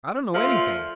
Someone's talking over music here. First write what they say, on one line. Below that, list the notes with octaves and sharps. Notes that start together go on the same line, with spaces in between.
I don't know anything.
A#2 F3 A3 F4